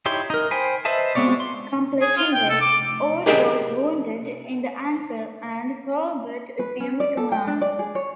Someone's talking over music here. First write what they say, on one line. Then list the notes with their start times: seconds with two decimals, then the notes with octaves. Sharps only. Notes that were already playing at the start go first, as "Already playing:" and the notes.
After accomplishing this, Ord was wounded in the ankle and Hurlbut assumed command.
0.06 D#4 E4 G4 C#5 C6
0.30 D#4 A#4
0.51 C5 G5 G#5 B5
0.85 B4 C5 D#5 E5 A5
1.15 G#3 B3 C4 C#5 D5
1.40 C6
2.01 G#4
2.17 F4
2.33 G5
2.49 A4
2.61 D6
3.26 G4 G#4 A#4 D#5 G5 A5
6.59 B4
6.80 C#4
7.00 D5
7.17 A4
7.32 G5
7.47 D4
7.61 D5
7.79 G#4
7.95 C#5